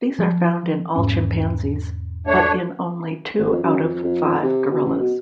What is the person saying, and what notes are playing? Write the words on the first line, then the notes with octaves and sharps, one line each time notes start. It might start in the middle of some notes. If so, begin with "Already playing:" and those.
These are found in all chimpanzees but in only two out of five gorillas.
F3
E1 G#2 C#4
A3 D4 C#5
G#1
F2
F#2
F2
F2
F2
C3
B2
A1
B2